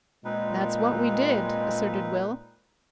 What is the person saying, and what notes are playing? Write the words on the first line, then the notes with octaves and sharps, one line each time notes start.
"That's what we did," asserted Will.
A#2 G#3 C4 D#4 B4